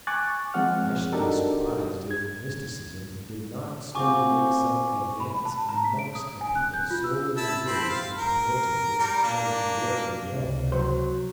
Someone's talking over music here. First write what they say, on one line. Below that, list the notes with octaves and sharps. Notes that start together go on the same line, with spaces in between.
I should be surprised if mysticism did not soon make some advance amongst a people solely engaged in promoting its own worldly welfare.
G#5 C#6 D6 F#6 A6
F3 G#3 C4 G#4 F#5 F6
D4 D#4 F#4 G4 A4 A#4
G#6
C4 F4 F#4 G#5 C#6 D6
B5
A5
A#5
B6
D7
D#6
G#5
F#6
G6
F4
E6
E4 A5 E6
C4 B5
F5
A#4
G3 A#4
A#3 D4
C#2 C3
F#3 C5